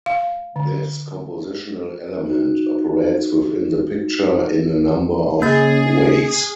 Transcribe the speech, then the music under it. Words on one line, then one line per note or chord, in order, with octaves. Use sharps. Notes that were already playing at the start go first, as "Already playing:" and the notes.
This compositional element operates within the picture in a number of ways.
F5
D3
D#4 F#4
C#3 A#3 G#4 A6